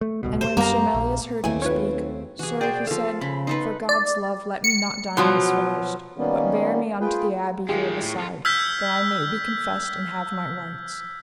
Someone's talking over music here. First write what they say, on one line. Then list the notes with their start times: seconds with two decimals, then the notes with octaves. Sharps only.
And when Sir Melias heard him speak: Sir, he said, for God's love let me not die in this forest, but bear me unto the abbey here beside, that I may be confessed and have my rights.
0.01 A3
0.23 D1 C2 B2
0.41 C5
0.57 F#2 G3 A#3 B3 A#5
0.94 A#1
1.44 D#2 E3 A3 C4 G#5
1.62 B1 C#4 F4 B4 C#5
2.39 C3 E3 F#4 G#4
2.61 B2 G#4 C5 D5 G5
2.87 F3 A4 F5
3.21 C#3 B5
3.47 B3 D#4 A4 B4 C6
3.89 D5
4.64 C#7
5.17 B2 F3 F#3
6.18 D#3 G3 A#3 B3 C#4
7.00 F4 G#4 B4 G5
7.69 D#3 G#3 F4 G4 G#4
8.00 A2
8.16 F2 F4
8.45 E6 F6 G6 G#6 B6